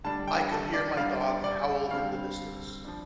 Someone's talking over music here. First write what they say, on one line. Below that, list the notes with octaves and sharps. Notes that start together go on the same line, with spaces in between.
I could hear my dog howl in the distance.
D3 G3 D4 A5
G5
A4
D5
D3 G3 D4 F5
G5
D5
D3 G3 C4 F5
F3 D4